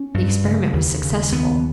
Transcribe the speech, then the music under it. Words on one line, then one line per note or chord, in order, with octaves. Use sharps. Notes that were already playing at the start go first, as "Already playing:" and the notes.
The experiment was successful.
Already playing: C#4
G2
C#3
D#2
C#3
D#2 B3